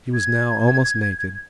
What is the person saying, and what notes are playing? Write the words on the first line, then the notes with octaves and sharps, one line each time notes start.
He was now almost naked.
G#6